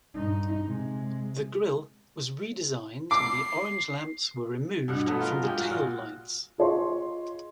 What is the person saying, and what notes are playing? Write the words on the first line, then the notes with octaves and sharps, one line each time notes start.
The grill was redesigned, and the orange lamps were removed from the taillights.
G2 D#4
C3 G#3
D6 C7
G2 B2 F#5
B2 F#3 A3 B3
F4 A#4
G#3 A#3 G4
F4 F#4
A#2 F4
F4 G#4 C#5 D#5 C6